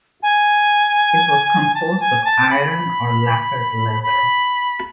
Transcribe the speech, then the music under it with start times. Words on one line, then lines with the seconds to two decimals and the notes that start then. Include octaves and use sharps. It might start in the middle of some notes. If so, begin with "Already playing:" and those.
It was composed of iron or lacquered leather.
0.23 G#5
1.75 A5
2.00 G#5
2.25 A5
2.50 B5
4.03 B5